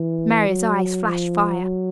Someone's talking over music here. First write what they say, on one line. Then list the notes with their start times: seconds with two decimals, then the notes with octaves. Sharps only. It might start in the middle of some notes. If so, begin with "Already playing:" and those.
Mary's eyes flashed fire.
Already playing: E3
0.49 F#3
1.05 F3
1.61 F#3